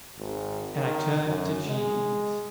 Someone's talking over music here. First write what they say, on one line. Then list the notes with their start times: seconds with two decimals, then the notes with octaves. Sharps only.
And I turned to Jeeves.
0.18 G#1
0.76 D#3
1.26 F#2
1.66 G#3